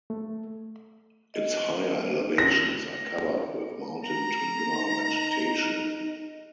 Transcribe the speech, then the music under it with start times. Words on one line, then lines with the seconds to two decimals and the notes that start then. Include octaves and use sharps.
Its higher elevations are covered with mountain tundra vegetation.
0.10 A3
1.34 D#5
2.38 A#6
4.03 A#5
4.68 D#4